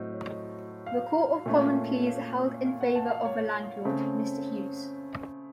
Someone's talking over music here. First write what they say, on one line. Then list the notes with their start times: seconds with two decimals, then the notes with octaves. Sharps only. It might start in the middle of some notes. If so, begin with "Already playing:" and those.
The Court of Common Pleas held in favour of the landlord, Mr Hughes.
Already playing: A2 F#3 C4 D#5
0.13 C#5
0.27 D#5
0.86 F5
1.46 A#2 A3 C#4
2.06 F5
2.66 F5
2.81 F#5
2.96 A5
3.10 F5
3.25 C#5
3.85 C#3 A3 C4